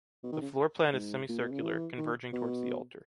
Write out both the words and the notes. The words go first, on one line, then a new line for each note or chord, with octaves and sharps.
The floor plan is semicircular, converging towards the altar.
B2
D#3
C#3
G#2
A#2
B2
C#3
E3
D#3
B2